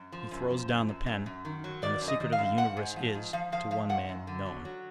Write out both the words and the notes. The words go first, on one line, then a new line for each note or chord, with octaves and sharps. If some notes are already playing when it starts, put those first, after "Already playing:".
He throws down the pen; and the secret of the universe is, to one man, known.
Already playing: F#2
F3
F#2
F3
F#2
F#2
F#2
F#2
D#3
F#3
D#3 D5
F#2
D#5
D#3
F5
F#2
G#2 F#5
G#2
F3
G#2
F3 F5
F3 F5
F3 F5
G#2 F#5
F#2
D3
F#3
F#3